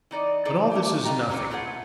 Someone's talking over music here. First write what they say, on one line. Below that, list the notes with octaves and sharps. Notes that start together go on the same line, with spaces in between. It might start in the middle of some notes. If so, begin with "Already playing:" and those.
But all this is nothing.
E3 D#4 D5 D#5
D#4 E4 G#4 A4 B4 D5
C#4 G4
E3 F4 D#5 G5 A#5
F#3 A#3 C4 C#4 B4
A3 E4 F4 G#4 B4 F#5